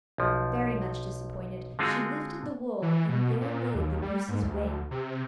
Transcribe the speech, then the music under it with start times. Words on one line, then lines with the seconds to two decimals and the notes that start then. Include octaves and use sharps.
Very much disappointed, she lifted the wool, and there lay the goose's wing.
0.18 B1 F3
1.79 D3 G#3 C4 F4 F#4 G#4
2.82 E3
3.09 B2
3.40 A#2
3.75 D#2
4.02 G3
4.28 G#2
4.42 D2
4.91 C3